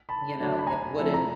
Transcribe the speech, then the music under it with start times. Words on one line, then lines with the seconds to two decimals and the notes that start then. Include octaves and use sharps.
You know, it wouldn't
0.09 A5 B5
0.38 D3 F#3 A3 D4
0.59 B5
0.67 G#5 A#5
0.96 F3 A3 C4 E4 A4
1.14 A#5